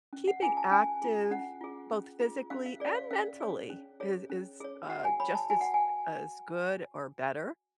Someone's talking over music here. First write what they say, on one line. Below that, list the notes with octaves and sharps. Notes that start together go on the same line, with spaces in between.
keeping active, both physically and mentally is is, uh, just as as good or better,
C#4
F#5
F4 G#4 G#5
A5
C#4 G#5
F4 G#4
C#4 F#5
F4 G#4
C#4
F4 G#4
C#4 F5
F5
G#4 C#5 D5
F5
C#4 F5
G#4 C#5
C#4
G#4 C#5
C#4
G#4 C#5
F#4 F#5
G#5
C#5 B5
A5
F#4 G#5
F#5
G#5